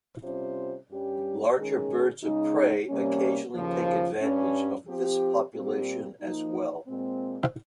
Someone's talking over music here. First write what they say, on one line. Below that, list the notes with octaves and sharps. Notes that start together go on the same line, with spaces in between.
Larger birds of prey occasionally take advantage of this population as well.
C3 G3 C#4 F4 C5
G2 G3 C#4 G4
D#3 G#3 C#4 G#4
C#3 G#3 D#4
C3 G3 A#3 C#4
D#2 C#3 F3
G2 G3 C#4
F3 C4 G4
A#2 G3 C4 G4
F3 A#3 D#4
A#2 G#3 C4